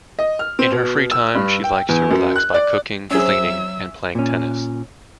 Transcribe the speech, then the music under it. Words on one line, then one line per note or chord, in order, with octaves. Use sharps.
In her free time, she likes to relax by cooking, cleaning and playing tennis.
D#5
F6
C4
B2
E6
G2
G5
E2
F#2
F#6
D5
F#3 C4 C#4 F#4 G#4 C#5 E5 E6
A#2 C#4